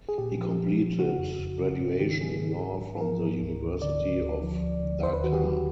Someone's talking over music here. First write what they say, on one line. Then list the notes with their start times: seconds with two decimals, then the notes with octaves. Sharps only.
He completed graduation in law from the University of Dhaka.
0.09 G#4
0.18 A#2 G4
0.38 F3
0.58 F3
0.79 F3
0.99 C#3 F#4
1.19 F2
1.39 F2
1.60 C#3
1.80 G#2
2.00 D#3 G4
2.21 F#3 G#4
2.40 G#2
2.60 G#2
2.81 G#2
3.01 F3 A#4
3.21 G#2
3.42 D2
3.61 D2
3.82 D3 D5
4.02 D3
4.22 D2
4.42 F3
4.63 D2
4.83 D3
5.03 D#2 C5
5.13 B4
5.24 D#3 F#4
5.33 G4
5.44 F#3 F#4